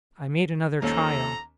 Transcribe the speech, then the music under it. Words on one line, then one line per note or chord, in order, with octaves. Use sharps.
I made another trial.
D#2 F3 C4 C#4 A4 A#5